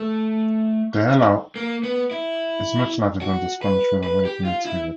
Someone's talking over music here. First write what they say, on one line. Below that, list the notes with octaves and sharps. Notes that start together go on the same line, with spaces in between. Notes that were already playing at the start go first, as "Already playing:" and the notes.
The Elaho is much larger than the Squamish River when it meets with it.
Already playing: A3
A#3
B3
E4
F#4
B4
B4
G4
F4
E4